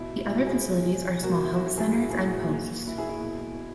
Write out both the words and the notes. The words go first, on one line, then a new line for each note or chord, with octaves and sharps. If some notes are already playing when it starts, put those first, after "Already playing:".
The other facilities are small health centers and posts.
Already playing: B2 E4
B2 E4
F#4
E4 G#4
B2
B2
B2 F#4 A#4
E4
B2 F#4
F#4
E4 G#4
A#2 E4 G#4
F#4
E4 G#4
A#2 F#4
A#2
A#2 E4
E4 G#4
E4
B2
B2